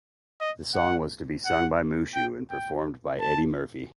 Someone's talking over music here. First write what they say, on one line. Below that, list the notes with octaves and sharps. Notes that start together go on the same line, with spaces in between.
The song was to be sung by Mushu and performed by Eddie Murphy.
D#5
F#5
F#5
G5
G5
A5